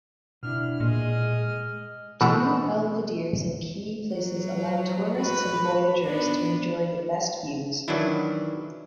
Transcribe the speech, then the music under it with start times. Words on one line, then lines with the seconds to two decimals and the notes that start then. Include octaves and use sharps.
Two belvederes in key places allow tourists and voyagers to enjoy the best views.
0.43 B2 D4 E4 F6
0.80 A#2 G#3 G#4 D#5
2.21 B2 E3 G#3 A3 F#5 A5
4.15 F#3
5.19 F#4 B4
6.05 B3 D4
7.88 D#3 E3 F#3 D4 E4